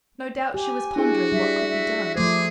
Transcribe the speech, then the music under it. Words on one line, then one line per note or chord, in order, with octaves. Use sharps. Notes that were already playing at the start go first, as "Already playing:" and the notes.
No doubt she was pondering what could be done.
G4 G#5
D4 E4 F#4 G#4
G3 E5
E5
F3 A3 G#4 C5 D6